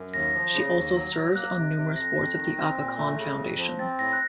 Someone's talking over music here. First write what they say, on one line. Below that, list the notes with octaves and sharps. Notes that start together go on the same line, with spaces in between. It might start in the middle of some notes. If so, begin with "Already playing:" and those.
She also serves on numerous boards of the Aga Khan Foundation.
Already playing: F#2
D#2 A#6
F3
C#3
D#2
F#3
F#3
A#3 F#6
C3
C3
F2 A#6
F2
D#3
C4
A#2
A3
C#3
F2
F3
C4 A6
A2 A#6
F#6